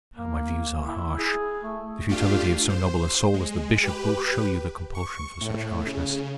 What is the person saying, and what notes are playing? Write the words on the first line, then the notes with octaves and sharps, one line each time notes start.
My views are harsh; the futility of so noble a soul as the Bishop will show you the compulsion for such harshness.
A#3
E4
G#4
A3
A3 D4 F4 G4 F5
C5
G#3
G4 B4
C#6
A2
C#3